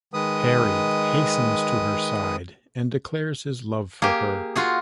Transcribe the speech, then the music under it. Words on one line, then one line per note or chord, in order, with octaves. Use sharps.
Harry hastens to her side and declares his love for her.
D#3 G#3 B4 D#6
A#3 G4 G#4
F4 F#4 G#4